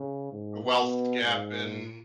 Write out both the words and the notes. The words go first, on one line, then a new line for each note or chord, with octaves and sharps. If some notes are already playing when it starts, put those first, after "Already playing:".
a wealth gap in
Already playing: C#3
G#2
B2
G#2